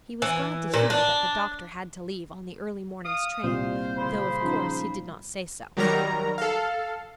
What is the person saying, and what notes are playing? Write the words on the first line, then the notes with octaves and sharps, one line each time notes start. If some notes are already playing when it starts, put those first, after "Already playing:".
He was glad to hear that the doctor had to leave on the early morning's train, though, of course, he did not say so.
E3
A#2
D4
F5 D#6
C2 A#2 G3 F4 C5 F5
C#3 C5 B5
F3 C#4 D#4
D#3 F#3 G3 A#4 A#5
A4 F5